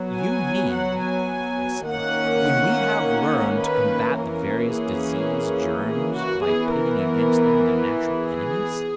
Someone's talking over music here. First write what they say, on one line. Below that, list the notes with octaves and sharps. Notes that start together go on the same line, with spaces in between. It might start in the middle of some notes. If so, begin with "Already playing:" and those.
"You mean," I said, "when we have learned to combat the various disease germs by pitting against them their natural enemies."
Already playing: F#3 B3
G#5
F#5
G#5
D#3 A#3 C#4 F#5
B4
E3 A#3 C#4 A#4
G#4
G#4
F#4
E3 B3 G#4
A#4
G#4